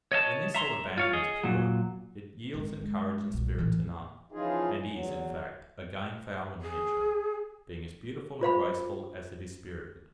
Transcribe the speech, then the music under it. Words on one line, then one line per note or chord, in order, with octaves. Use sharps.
When this sort of Bantam is pure, it yields in courage and spirit to none, and is, in fact, a game-fowl in miniature, being as beautiful and graceful as it is spirited.
C#5 D#5 E5 A5
E5 A#5 C6
F4 C#5 F5
G#4 D#5
A#2 F#3
G#1
G#3
D#1 B1
A2 E3
C#3 E3 F3 D#4 F4 G#4
E2 F#3
G#4
F4 C5 F5 B5